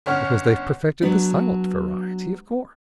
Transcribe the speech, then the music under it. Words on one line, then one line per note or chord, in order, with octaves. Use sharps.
Because they've perfected the silent variety, of course.
G1 C#4 C#5 F#5 F6
F#3 B3 D4